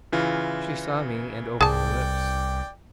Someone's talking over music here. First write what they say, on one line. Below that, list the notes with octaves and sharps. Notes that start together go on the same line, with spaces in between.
She saw me and opened her lips.
C#3 E3 F4
C2 G#4 D5 G5 A5